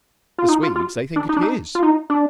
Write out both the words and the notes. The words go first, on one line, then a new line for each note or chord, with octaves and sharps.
The Swedes, they think it his.
F4
D#4
F4
F4
D4
D#4
D4
D#4
F4
D#4
D4